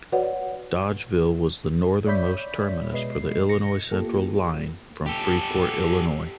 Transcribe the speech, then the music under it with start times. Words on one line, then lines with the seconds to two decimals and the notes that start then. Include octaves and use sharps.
Dodgeville was the northern most terminus for the Illinois Central line from Freeport Illinois.
0.12 F#4 B4 C#5 D5 F#5
2.07 C#5 D5 E5 B5 G6 B6
2.92 B2 G#3 B4 D#5 C7
3.49 A#6 C#7
3.91 A#3 F4 G4 A4
5.06 G4 A4